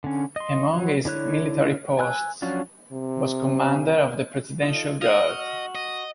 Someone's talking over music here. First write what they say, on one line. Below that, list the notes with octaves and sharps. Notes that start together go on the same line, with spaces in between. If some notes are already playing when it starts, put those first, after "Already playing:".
Among his military posts was Commander of the Presidential Guard.
D3 C#4
D#5 C6
F#3
D3 E4 C#5 F#6
G#5 E6 F#6
F3 F#3 C#4 D4 F4
C3
D#4 F4 A4
D#5 F5 F#5
F#4 F6
D#5